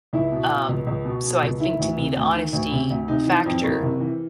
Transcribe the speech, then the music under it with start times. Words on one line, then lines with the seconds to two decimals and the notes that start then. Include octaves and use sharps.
Um, so I think to me the honesty factor
0.13 C#2 E4
0.32 B2
0.50 B2
0.69 C#2
0.87 C#2
1.05 B2
1.23 B2
1.43 C#2
1.60 D#3 E4
1.79 D2
1.97 C3
2.16 D2
2.34 D#3
2.53 D2
2.71 C3
2.90 D2
3.08 C3 D#4
3.26 E3
3.46 F2
3.63 F#1
3.83 C3
4.00 E3